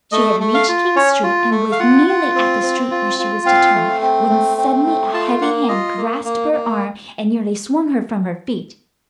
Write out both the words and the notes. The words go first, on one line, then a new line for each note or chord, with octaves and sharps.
She had reached King Street and was nearly at the street where she was to turn, when suddenly a heavy hand grasped her arm and nearly swung her from her feet.
A3 D#5
A3
F5
F4
C#4 C#5
F4
A3
F5
F4 F#5
F4
C4
C4
F4
F4
C4 F5
A3
C4
A3
C4
A3
F4 A5
A#3 F#5
F4 D#5
A#3
A#3
A#3